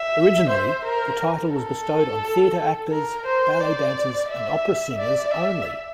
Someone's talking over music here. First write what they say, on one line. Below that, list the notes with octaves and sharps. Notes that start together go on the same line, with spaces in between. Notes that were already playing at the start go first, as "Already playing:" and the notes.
Originally, the title was bestowed on theatre actors, ballet dancers, and opera singers only.
Already playing: E5
C5
A#4
A4
A#4
C5
D5
E5
D5
E5